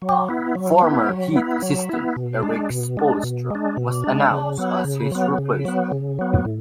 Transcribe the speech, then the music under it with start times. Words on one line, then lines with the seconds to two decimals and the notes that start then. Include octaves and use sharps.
Former Heat assistant Erik Spoelstra was announced as his replacement.
0.02 F#3
0.29 B3 E4
0.55 F#3
0.82 B3 E4
1.09 F#3
1.36 B3 E4
1.62 F#3
1.89 B3 E4
2.16 B2
2.43 G#3 D4
2.70 B2
2.97 G#3 D4
3.23 B2
3.50 G#3 D4
3.77 B2
4.04 G#3 D4
4.31 C#3
4.58 F#3 B3
4.84 C#3
5.12 F#3 B3
5.38 C#3
5.65 F#3 B3
5.92 C#3
6.19 F#3 B3
6.45 A2